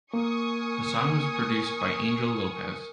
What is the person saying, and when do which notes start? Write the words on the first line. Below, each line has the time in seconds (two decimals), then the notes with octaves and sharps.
The song was produced by Angel Lopez.
0.14 A#3 A#4 G#5 C#6 D#6